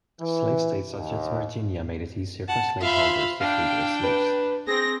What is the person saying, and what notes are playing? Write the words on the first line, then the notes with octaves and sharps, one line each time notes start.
Slave states such as Virginia made it easier for slaveholders to free their slaves.
E3
D#2
F#5 A5
F4 C5 E5 F5 B5 C6
D4 F5 G5
B4
C4 G#4 A#6